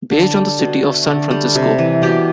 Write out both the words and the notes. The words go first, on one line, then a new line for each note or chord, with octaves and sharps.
Based on the city of San Francisco.
D3
G3
B2
A3
D3
G3
C3
E3
B2 G4